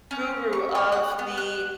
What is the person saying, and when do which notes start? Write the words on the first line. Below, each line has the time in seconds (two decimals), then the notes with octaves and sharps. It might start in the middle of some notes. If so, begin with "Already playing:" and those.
guru of the
0.11 C#4
0.53 C#6
0.75 C#5
0.92 F#5
1.19 B3
1.38 F#6